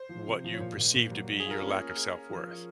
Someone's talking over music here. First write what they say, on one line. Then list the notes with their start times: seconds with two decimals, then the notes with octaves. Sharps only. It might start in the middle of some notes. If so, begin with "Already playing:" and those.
what you perceive to be your lack of self worth,
Already playing: C5
0.09 F3
0.26 C3
0.44 F3
0.54 C#5
0.60 A#2 C5
0.77 A#2
0.94 A#2
1.11 F#3
1.28 D#5
1.40 G#4
1.46 F4 A#4
1.62 A#3 C#4
1.79 A#3
1.96 G#4
2.13 G#4
2.30 F3
2.47 G#4